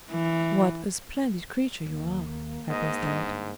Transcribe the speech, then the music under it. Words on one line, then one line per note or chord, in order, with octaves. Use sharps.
"What a splendid creature you are!" I burst out.
E3
D#2 A#3
G#2 D#5
G2 D3